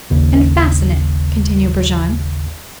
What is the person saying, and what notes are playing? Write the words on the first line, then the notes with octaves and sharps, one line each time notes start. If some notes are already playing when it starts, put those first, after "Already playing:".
"And fasten it," continued Brujon.
G#1 D#2 C#3